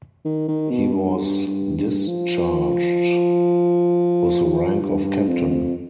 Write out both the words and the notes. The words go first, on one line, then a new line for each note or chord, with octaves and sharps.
He was discharged with the rank of Captain.
D#3
D#3
B2
G2
G2
G2
G2
F3
G2
G2
F2
F2